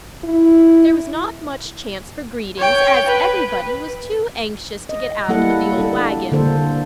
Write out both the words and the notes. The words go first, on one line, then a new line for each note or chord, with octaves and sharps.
There was not much chance for greetings as everybody was too anxious to get out of the old wagon.
E4
C#5 G5
B4
D#5
G3 A#3 E4 A4 F#5
D4 A4
D3 A#3 A4 C5